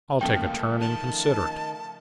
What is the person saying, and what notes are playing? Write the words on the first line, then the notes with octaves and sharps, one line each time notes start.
"I'll take a turn and consider it."
G#2 C#3 F3 A3 A#3 G5
D#3 A5